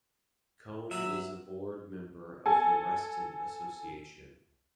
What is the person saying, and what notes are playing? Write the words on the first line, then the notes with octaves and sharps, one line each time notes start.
Cohn was a board member of the Reston Association.
F#3 E5
A4 G#5